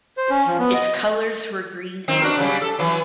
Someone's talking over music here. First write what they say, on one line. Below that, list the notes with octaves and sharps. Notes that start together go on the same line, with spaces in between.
Its colours were green and white.
C5
C#4
F3
B3
D#5
D#3 C4
D4 F#4 A#4
C#3 F#3 G3
A4
E3 F#3